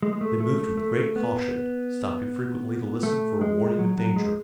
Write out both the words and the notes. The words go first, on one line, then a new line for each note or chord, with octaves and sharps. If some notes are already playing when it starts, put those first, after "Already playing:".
They moved with great caution, stopping frequently to listen for a warning of danger.
G#3
G#3
A3
A3
A3
A3
B3
A3
G#3
F#3
F#3
G#3